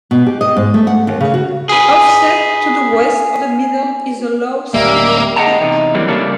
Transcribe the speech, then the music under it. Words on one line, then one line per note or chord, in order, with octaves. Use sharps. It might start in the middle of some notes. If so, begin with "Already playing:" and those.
Offset to the west of the middle is a low central peak.
B2
G4
D#5
G#2
A3
F#5
D#2
C#3
F#4
G#4 B4
D1 G3 G#3 A#3 E5
G#4 D#5 F#5 G5 A5 A#5
E2 C3 D#4
D3 E3 F#3 G3 A#3 C4
C#3 G3 A3 A#3 C#4 D4